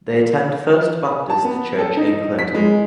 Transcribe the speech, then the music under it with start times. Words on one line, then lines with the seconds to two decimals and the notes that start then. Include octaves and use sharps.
They attend First Baptist Church in Clinton.
1.30 A5
1.44 B3
1.78 A4
1.97 D#4
2.39 B6
2.54 G#3